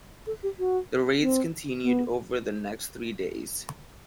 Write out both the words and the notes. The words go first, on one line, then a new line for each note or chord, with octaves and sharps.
The raids continued over the next three days.
A4
G4
F#4
C4
B3